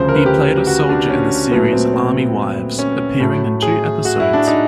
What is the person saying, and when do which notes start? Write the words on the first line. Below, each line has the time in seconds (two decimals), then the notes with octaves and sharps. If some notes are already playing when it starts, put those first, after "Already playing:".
He played a soldier in the series "Army Wives", appearing in two episodes.
Already playing: D2 C#3 F3 C5
0.09 A#4
0.14 B4
0.26 G4
0.57 G4
0.67 F#4
0.89 D4
1.10 C#4
1.51 A#2 F#3 A3 B3
1.73 C4
1.94 C4
2.79 C#4
3.20 A2 F#3 A3
3.62 G#4
4.05 F#4
4.20 E4
4.33 D4
4.47 D#4